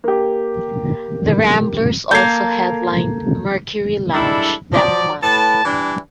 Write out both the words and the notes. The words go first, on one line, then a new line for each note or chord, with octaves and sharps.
The Ramblers also headlined Mercury Lounge that month.
A#3 G4
A#3 A4 G6 G#6 C7
G3 G#3 D4 E4 A4
F3 F#3 D5
A2 B4 A5
E3 G3 D4